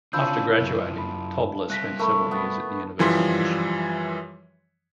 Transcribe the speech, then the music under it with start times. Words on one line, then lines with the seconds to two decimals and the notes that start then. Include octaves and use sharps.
After graduating, Tobler spent several years at the University of Michigan.
0.13 F3 C#4 D4 B5 E6 G6
0.60 F#2 E4
0.98 B5
1.70 G3 E5 F#6 A#6 B6
1.99 A3 A#4 B5 C#6
2.31 B3
2.99 F#2 E3 F3 G3 C6 B6